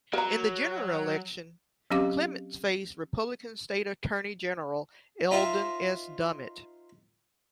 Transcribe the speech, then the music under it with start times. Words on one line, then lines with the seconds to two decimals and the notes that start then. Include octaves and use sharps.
In the general election, Clements faced Republican state attorney general Eldon S. Dummit.
0.13 F#3 A#4 A#5
1.91 F#3 C4 C#4 G4 F5 D6
5.31 D#4 F4 C5 E5